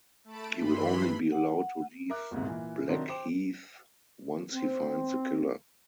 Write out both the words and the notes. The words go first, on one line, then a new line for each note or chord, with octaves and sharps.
He will only be allowed to leave Blackheath once he finds the killer.
A3 A5 B5 D7
G2 E3 B5 C6
F#5
A#4 E5 D6 F#6
G1 D#2 G#2 C3
A#2 E3
C3 D#3 F#3 C4 D4
C5 G5 D6 E7
C4